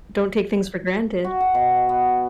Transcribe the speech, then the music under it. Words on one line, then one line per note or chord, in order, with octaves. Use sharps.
don't take things for granted.
F#4
F#5
B2
B3